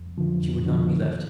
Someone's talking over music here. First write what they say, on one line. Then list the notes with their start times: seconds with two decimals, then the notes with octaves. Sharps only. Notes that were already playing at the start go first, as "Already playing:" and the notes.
"She would not be left."
Already playing: F2
0.18 D3 F3
0.43 F2
0.66 D3 F3
0.91 D#3